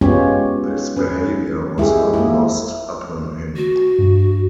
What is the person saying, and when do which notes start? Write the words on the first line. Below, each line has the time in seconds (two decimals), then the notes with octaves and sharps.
This behaviour was not lost upon him.
0.01 G#3 B3 C#4 F4 G4 C#5
0.96 C#4 B4
1.78 G#3 E4 G4 G#4
2.14 A#3 E4
3.56 F#4
3.99 G2